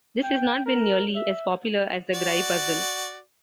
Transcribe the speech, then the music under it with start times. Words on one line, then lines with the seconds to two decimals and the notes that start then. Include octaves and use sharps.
This has not been nearly as popular as the gry puzzle.
0.23 G5
0.66 A#4
1.15 E5
2.14 F#4 D5